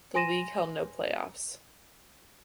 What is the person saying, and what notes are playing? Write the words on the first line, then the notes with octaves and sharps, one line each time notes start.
The league held no playoffs.
G#5 C6 A#6 D#7 E7